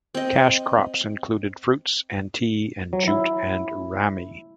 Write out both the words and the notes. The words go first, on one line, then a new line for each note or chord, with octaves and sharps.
Cash crops included fruits and tea and jute and ramie.
C4 D#5
F#3
E4